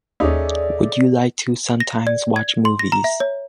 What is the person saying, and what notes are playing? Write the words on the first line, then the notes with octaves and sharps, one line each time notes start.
Would you like to sometimes watch movies?
D#2 C#4 D#4 G#4 A4 D5 E5
A#6
D5
G#6
C6
A#6
A#5
E5
C#5